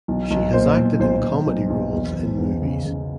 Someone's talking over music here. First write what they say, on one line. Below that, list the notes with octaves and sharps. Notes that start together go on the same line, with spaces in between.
She has acted in comedy roles in movies.
B1
B1
A#2 C5
B1
B1 C5
B1
B1
B1
E2
E2
E2
C#3
C#3